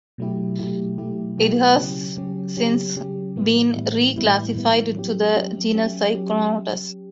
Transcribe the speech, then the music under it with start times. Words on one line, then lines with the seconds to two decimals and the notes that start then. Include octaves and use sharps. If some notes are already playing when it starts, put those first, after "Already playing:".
It has since been re-classified to the genus "Pycnonotus".
0.18 B2 F#3 A3 E4 G4
0.59 B2 F#3 A3 E4 G4
0.98 B2 F#3 A3 E4 G4
1.38 B2 F#3 A3 E4 G4
1.77 C#3 F#3 C#4 G4
2.17 C#3 F#3 C#4 G4
2.57 C#3 F#3 C#4 G4
2.96 C#3 F#3 C#4 G4
3.36 A2 E3 G3 B3 E4
3.76 A2 E3 G3 B3 E4
4.16 A2 E3 G3 B3 E4
4.55 A2 E3 G3 B3 E4
4.95 F#3 C#4 G4
5.35 F#3 C#4 G4
5.75 F#3 C#4 G4
6.14 F#3 C#4 G4